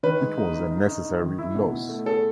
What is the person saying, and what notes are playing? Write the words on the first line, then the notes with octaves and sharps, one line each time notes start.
It was a necessary loss.
D#3 B4
G#3
D#4
D#4
D#4
D#4
D#4
D#3
E4
B2
B2
A3
G#4 A4